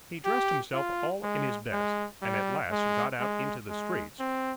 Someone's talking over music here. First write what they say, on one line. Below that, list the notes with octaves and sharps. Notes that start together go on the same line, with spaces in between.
He dressed himself 'all in his best,' and at last got out into the streets.
G4
F4
G#3
G#3
G3
G#3
G#3
G#3
C4